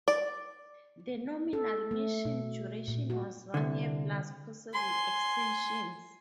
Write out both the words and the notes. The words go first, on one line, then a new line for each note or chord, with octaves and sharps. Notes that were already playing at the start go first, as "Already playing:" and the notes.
The nominal mission duration was one year plus possible extensions.
D5
A4
A3
B2
A#2
F#4
C2 D3
G#5 C6